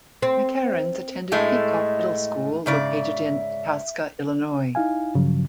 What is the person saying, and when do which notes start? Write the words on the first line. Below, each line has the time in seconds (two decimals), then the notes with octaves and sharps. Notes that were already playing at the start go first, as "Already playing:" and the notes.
McCareins attended Peacock Middle School located in Itasca, Illinois.
0.22 C4
1.32 A2 G#3 A3 D#5
2.66 G#2 C#3 D5 E5
4.75 D#4 E4 F5 G#5
5.15 G2 C#3 F3 F#3